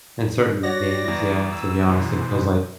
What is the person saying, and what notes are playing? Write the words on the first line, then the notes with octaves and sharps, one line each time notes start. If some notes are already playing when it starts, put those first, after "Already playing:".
and certain games, yeah, to be honest, it feels like
F#4 C#5 D5 F#5 A#6
E2 E4
E6
B2 E3 C5